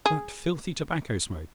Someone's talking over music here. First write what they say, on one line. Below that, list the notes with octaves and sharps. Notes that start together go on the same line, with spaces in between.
That filthy tobacco-smoke!
G#4